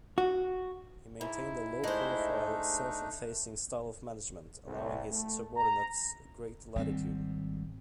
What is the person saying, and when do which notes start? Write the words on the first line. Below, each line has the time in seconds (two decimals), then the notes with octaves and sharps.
He maintained a low-profile, "self-effacing" style of management, allowing his subordinates great latitude.
0.18 F#4
1.21 G#2 E4
1.84 G#3 A3 D4 D#4 C5
4.65 C2
5.10 A3
5.56 A#5
6.76 G#1 G3 C4